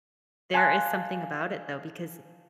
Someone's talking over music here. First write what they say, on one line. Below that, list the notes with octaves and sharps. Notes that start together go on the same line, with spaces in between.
there is something about it, though, because
F5 G#5 A5 C6 D6 F#6